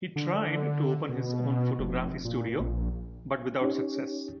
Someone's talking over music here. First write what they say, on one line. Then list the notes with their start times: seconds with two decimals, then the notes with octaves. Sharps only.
He tried to open his own photography studio, but without success.
0.16 D3
1.09 B2
1.79 F1
2.25 A#2
2.60 A#1
3.61 C#4 D#4 G4 C#5